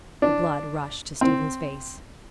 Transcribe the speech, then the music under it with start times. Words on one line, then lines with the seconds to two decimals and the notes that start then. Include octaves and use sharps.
The blood rushed to Stephen's face.
0.22 D4
1.21 C4